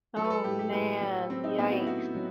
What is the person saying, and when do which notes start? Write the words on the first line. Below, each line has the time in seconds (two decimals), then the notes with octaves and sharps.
Oh man. Yikes.
0.16 F#3 A4
0.24 B4
0.30 A4
0.44 A2 G4
0.59 G4
0.73 A2 B4
1.01 F#3
1.30 F#3 C4
1.44 D#4
1.58 A2 B3
1.72 F#4
1.80 E4
1.87 A2 F#4
2.15 F#3